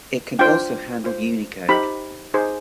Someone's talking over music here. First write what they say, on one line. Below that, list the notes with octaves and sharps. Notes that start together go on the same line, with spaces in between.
It can also handle Unicode.
D4 F4 C5 G5
F4 C5
D#4 G4 C5 B5
D#4 G#4 C5